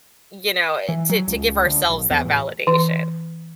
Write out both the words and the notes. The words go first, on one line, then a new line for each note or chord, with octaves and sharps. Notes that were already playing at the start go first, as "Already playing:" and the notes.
you know, eh, to to give ourselves that validation.
E3
F#3
C#2
D2
B1
E2
A1
E3